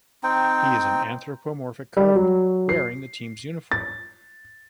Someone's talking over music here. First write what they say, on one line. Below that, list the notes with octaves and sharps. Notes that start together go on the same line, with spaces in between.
He is an anthropomorphic cardinal wearing the team's uniform.
C4 D#4 G5
G3
F#3
C7
A6